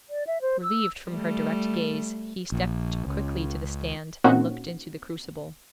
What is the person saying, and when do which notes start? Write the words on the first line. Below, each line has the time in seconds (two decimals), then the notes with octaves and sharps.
Relieved from her direct gaze, he stepped quickly to the stand, and looked into the crucible.
0.10 D5
0.27 E5
0.42 C5
0.63 E6
1.10 G3 A3
2.52 A#1
3.07 C#2
4.24 A#2 A#3 C4 C#4 D#4 F#4